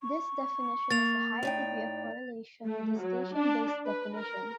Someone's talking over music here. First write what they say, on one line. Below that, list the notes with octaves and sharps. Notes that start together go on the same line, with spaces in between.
This definition has a high degree of correlation with the station-based definition.
C#6
A#3 A6 F7
A2 D#4 D5 G5
A3
F#3
D4
B4
A#4